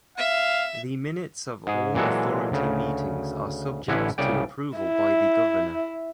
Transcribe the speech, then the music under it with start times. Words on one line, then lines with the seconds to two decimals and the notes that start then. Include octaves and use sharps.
The minutes of all Authority meetings are subject to approval by the Governor.
0.18 E5 F5
1.67 G#2 G#4
1.95 A#2 E3 F#3 G#3 A4
2.52 D2 C#3
3.88 A1 D3 C#4 E4 B4 F#5
4.18 C2 C#3 D5 G5
4.78 E4